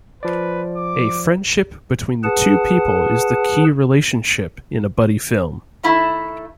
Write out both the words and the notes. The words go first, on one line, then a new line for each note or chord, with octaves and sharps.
A friendship between the two people is the key relationship in a buddy film.
F3 B4 D5
D6
G#4 B4 F#5 A5
D#3 A3 E4 E5